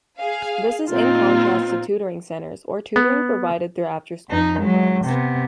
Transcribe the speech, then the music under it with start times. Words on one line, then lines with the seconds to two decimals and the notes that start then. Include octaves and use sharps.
This is in contrast to tutoring centers or tutoring provided through after-school programs.
0.19 G#4 F5
0.90 A#2 C4 D#4 F4
2.96 B3
4.30 F2 D#4
4.60 F#3 G#3
5.05 C3 B3